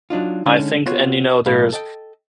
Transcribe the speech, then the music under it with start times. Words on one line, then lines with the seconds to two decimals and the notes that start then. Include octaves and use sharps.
I think and you know, there's
0.10 F#3 D4 D#4 F4
0.46 D3 G#3 C#4 D#4
0.86 B3 F4 F#4 C#5
1.46 B1 A2 D#5 F5 B5
1.73 A4 D#5 G5